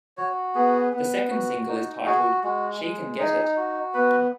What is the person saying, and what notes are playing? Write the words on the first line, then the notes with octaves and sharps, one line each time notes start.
The second single is titled "She Can Get It".
F#4 C#5
B3 G#4
B3
F#4
D#4
F#4 G#4
G#3 F#4
G#3
D#4 G#4
F#4
B3 B4